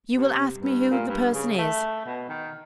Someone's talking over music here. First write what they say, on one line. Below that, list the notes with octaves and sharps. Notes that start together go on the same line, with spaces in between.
You will ask me who the person is.
C3
G2
A#2
G2
C#3
A3
B2
D#3